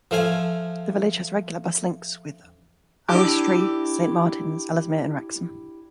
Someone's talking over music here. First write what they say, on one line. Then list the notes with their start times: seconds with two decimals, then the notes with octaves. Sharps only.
The village has regular bus links with Oswestry, Saint Martins, Ellesmere and Wrexham.
0.11 F3 A3 F5 G#5
3.09 D4 E4 G4